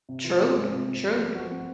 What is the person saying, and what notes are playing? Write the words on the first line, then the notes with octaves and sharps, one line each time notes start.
True, true.
C3
E3 F4
C3
G#3
C3
C4
F3
A3
F3 F#4
C4